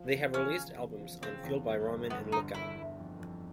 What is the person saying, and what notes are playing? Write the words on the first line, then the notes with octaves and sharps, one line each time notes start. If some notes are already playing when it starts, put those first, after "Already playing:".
They have released albums on Fueled by Ramen and Lookout!
Already playing: F3
E2
F3 C#4
C#3
E2
F3
C#3 C4
E2
G1
G1
G1 B3
D3 D#4
D3 E4
G1
F2
F2